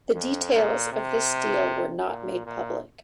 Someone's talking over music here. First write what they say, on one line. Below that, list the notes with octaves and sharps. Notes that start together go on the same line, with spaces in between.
The details of this deal were not made public.
F2
A#2
C3
A#2
A#2